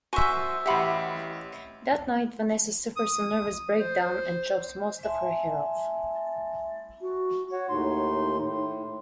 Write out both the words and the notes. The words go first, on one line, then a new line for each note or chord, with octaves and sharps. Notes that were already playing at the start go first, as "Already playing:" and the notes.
That night, Vanessa suffers a nervous breakdown and chops most of her hair off.
F#4 C5 E5 G#5 C#6
A1 E4 G4 E5 F#5 B5 C6
D#6
C5
E5 G#5 A5 C6
F#4
F#4 C#5
D#2 A2 D#4 C6
A2